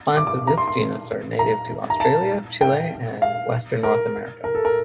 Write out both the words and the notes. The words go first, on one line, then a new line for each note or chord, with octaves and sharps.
Plants of this genus are native to Australia, Chile, and western North America.
D6
D6
A#5
C6
C6
A#5
A#5
A5
G5
F5
A#4
A#4
A4
A#4